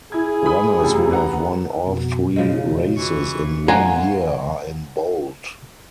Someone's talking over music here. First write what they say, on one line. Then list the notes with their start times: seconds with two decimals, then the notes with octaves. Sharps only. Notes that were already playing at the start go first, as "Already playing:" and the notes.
Runners who have won all three races in one year are in bold.
0.12 E4 G#4 G#6
0.46 B5 D#6
0.80 F#2 A2 C3
1.11 B4 F#5 A#5
1.87 F2 B2 F#4
2.36 C#3 F3 G#3
2.96 E3 C#6
3.68 F5 F#5 G#5 A#5